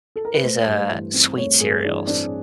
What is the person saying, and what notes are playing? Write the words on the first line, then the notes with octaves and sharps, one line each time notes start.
is, uh, sweet cereals.
A4
A#4
B4
A3 C5
G2
E3
C4
A3 C#5
G2 G#4
E3 D4
C4 D4